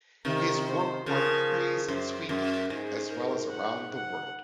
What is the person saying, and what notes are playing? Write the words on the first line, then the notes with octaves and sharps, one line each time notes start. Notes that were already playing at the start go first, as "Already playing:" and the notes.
His work won praise in Sweden as well as around the world.
C3 D#3 A#4
C5
C#3 F3 A#4
A#4
F#2 C5
F#2 A#4
G#2 G#4
A#4
F#5
F#5